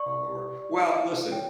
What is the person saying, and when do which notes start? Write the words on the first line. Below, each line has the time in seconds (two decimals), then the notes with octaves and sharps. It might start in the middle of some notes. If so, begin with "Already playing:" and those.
lord well, listen.
Already playing: D5 C#6
0.28 G4
0.62 D5
0.96 E4
1.31 C#5 G5